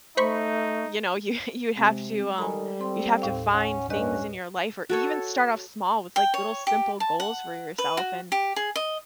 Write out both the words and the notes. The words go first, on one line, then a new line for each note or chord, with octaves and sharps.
you know, you you have to, um, you'd have to find things in your life or even start off small with like little simple goals for yourself and,
A3 D#4 C5 B5 C#6
C3 G#3 C4
D#3 G3 A4 G#5 A#5 B5
C4 C6
D#2 A2 F5
C#4 F#5
G2 C#4 G4 B4 D#5 F#6
F#4 A4 C#5
G5
C#5
G4
A5
F#5
B4
F#4
G4
G#4
D#5